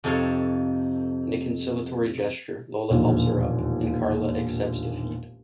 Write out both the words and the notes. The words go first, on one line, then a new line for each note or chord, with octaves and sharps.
In a conciliatory gesture, Lola helps her up, and Carla accepts defeat.
F2 C3 D#4 A4 C#5 F5
E1 A#1 D#2 A#2 D3